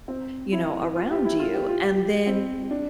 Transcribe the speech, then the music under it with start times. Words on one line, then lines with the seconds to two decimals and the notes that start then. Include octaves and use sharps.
you know, around you, and then
0.08 C4
0.52 E4
0.95 F4
1.11 G4
1.25 E4
1.39 F4
1.54 G4
1.69 F4
1.83 G4
2.27 C4
2.70 D4